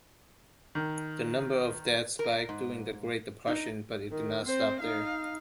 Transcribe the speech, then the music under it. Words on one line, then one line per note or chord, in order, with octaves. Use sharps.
The number of deaths spiked during the Great Depression but didn't stop there.
D#3
A#4
G#2
D#4
D#3
C4 C5
D#4 F5